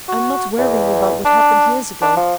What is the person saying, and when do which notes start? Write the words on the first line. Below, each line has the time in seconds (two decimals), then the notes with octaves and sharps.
I'm not worrying about what happened years ago.
0.08 F#4
0.58 E2
1.25 D4
2.02 D4
2.17 F3